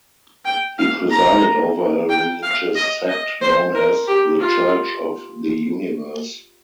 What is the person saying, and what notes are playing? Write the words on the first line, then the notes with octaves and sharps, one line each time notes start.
He presided over a religious sect known as the Church of the Universe.
G5
F5
A#5
G5
F5
D#5
D#5
C5
A#4
G4
F4